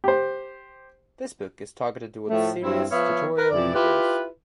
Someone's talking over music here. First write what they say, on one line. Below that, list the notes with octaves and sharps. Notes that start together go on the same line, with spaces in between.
This book is targeted towards serious, tutorial readers.
G4 C5
A2 F3 A3
G2 C4 E4
F3 B3 C#5 E5 F5
A#4 B4
F2 E3 D5
E4 F4 G4 B4